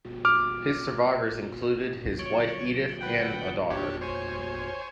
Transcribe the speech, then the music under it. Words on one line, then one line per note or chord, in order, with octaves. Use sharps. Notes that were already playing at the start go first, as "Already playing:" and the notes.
His survivors included his wife Edyth and a daughter.
D6 F6
D3 F#3 G3 C#5
B4 F#5 G5
G#1 F2 D4 G4 C#5
C5 C#5 G#5